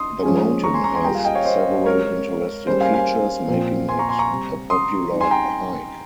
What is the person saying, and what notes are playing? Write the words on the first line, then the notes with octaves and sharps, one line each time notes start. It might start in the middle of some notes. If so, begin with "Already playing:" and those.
The mountain has several interesting features, making it a popular hike.
Already playing: D#4 C6 D#6
F3 G#3 C#4 F4 G#4
A#5 C#6
G#5 C6
A#5 C#6
G#5 C6
G3 A#3 F4 G#4 G5 A#5
F5 G#5
D#5 G5
C#5 F5
C5 D#5
G#3 C4 G4 A#4 C#5
G3 A#3 C#4 G#4 C5
F5 G#5
F5 G#5
A#2 F3 C4
G#5 C6
A#5 C#6
G#5 C6
A#5 C#6
C3 G3 C4
C6 D#6
G3 C4 D#4 G#4
G#5 C6
G5 A#5